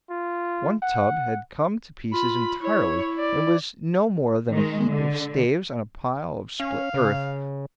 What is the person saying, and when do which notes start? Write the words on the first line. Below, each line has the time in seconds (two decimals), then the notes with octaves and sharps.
One tub had come to pieces entirely and was no more than a heap of staves on a pile of spilt earth.
0.10 F4
0.83 F#5
2.13 F4 B5
2.62 E4 C#5
3.19 D5
4.52 D#3 G#3
4.89 D3
6.60 C#4 F5
6.94 C#3